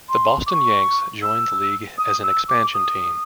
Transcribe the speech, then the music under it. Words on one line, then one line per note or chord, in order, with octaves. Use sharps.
The Boston Yanks joined the league as an expansion team.
C6
D6
C#6
E6
D#6
E6
D6
D#6